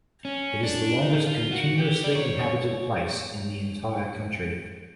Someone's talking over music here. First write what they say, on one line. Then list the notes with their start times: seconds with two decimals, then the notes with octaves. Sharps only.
It is the longest continuously inhabited place in the entire country.
0.25 C#4
0.63 D4
1.02 D#4
1.26 F4
1.52 F#4
1.78 G4
2.04 D5
2.15 C#5